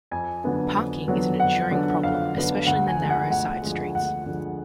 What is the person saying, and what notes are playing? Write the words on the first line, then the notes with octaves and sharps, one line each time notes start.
Parking is an enduring problem, especially in the narrow side-streets.
F2 G#5
D3 F#3 B3 D4
F2
D3 F#3 B3 D4
F2 F#5
D3 F#3 B3 D4
F2 F5
D3 F#3 B3 D4
D2 F#5
G#5
D3 F3 G#3
F#5
D2 F#5
D3 F3 G#3
D2 F#5
D3 F3 G#3